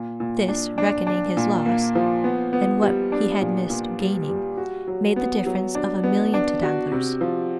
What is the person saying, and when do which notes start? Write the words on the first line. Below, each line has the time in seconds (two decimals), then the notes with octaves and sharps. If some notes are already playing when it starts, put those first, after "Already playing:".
This, reckoning his loss, and what he had missed gaining, made the difference of a million to Danglars.
Already playing: A#2
0.20 A#2
0.48 D4
0.78 D4
1.07 D4
1.37 A#2
1.66 A#3
1.95 F3
2.24 B3
2.53 B3
2.82 G3
3.12 D4
3.41 A#2
3.70 A#2
4.00 G3
4.29 G3
4.58 F#4
4.88 F#3
5.16 B3
5.46 F#3
5.75 D4
6.04 B3
6.34 D4
6.63 F#4
6.91 C3
7.21 F3